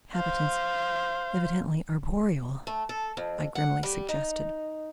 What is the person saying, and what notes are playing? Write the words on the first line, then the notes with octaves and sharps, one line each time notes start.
"Inhabitants evidently arboreal," I grimly suggested.
C5 F5
A3
A4
F2
F#5
G3
D#4